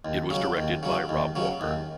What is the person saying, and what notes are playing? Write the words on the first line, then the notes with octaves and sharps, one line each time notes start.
It was directed by Rob Walker.
D#2
C#3 F#3
D#2
C#3 F#3
D#2
C#3 F#3
D#2